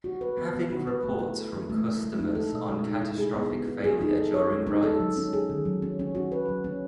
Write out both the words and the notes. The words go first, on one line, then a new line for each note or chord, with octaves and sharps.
Having reports from customers on catastrophic failure during rides.
F#4
B4
B3
B3
F#4
B4
A3
E4
A4
E3
A3
E4
G#3
D#4
A4
B2
G#3
D#4
E4
G#4
B3
B3
E4
G#4
D#4
A4
C#5
G#3
D#4
A4
F#3
C#4
G#4
D#3
F#3
C#4
C#4
F#4
B4
F#3
C#4